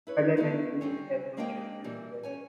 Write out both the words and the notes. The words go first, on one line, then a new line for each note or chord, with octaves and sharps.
Helen and William had no children together.
E4 B4 C#5
A3 B3 E4 F4
G3 C4 C#4
G#3 A#3 D4 A#4 D#5 G5
A#2 E3 G3
C#4 C#5 G#5